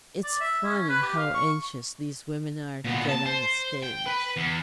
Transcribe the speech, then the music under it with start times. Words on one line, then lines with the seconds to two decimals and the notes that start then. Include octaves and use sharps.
"It's funny how anxious these women are to get on the stage."
0.24 D5
0.41 E5
0.65 C#4
0.89 B4
1.03 G4
1.18 F5
1.34 C#6
2.85 A#2 B3
3.09 A5
3.26 C5
3.83 G5
4.06 B4
4.36 E2